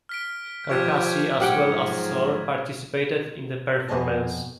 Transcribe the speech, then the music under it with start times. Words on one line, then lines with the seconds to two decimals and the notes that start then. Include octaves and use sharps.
Carcassi, as well as Sor, participated in the performance.
0.09 F6 B6 D7
0.70 F3 G4 D5 C#6 G#6
1.40 G#2 F3 F#3 G4 F#5 G5
3.88 F2 B2 B4 D#5 G#5 A5